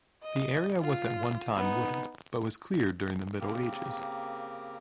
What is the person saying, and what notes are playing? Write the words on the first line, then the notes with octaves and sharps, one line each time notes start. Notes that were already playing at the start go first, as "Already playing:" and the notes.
The area was at one time wooded, but was cleared during the Middle Ages.
D#5
F4
B3 D#4
C#3 A#3 C4 G4 A#4